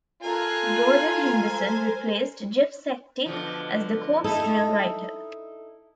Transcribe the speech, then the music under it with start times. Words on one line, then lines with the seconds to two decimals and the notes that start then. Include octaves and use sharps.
Gordon Henderson replaced Jeff Sacktig as the corps' drill writer.
0.23 F4 A4 A#4 G#5 F#6
1.48 C5
3.26 B2 D3 F3
4.24 D#4 E4 A4